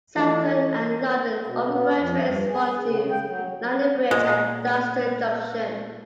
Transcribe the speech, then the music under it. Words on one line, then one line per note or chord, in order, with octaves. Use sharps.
Southern and London Overground trains run to London Bridge and Dalston Junction.
E3 A3 D#4 F4
B2
B3
F2
G2
G#4
C#3
G5
F#3
A#2 G#3